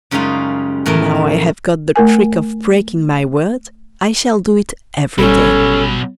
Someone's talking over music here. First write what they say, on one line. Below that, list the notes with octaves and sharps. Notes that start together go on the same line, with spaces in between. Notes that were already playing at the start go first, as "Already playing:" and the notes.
Now I have got the trick of breaking my word, I shall do it every day.
F#2 C#3 G3 G#3 D#4 F4
E2 A2 E3 A#4
A3 A#4 G#5
G#1 B2 F#3 G3 C#4 A4 B5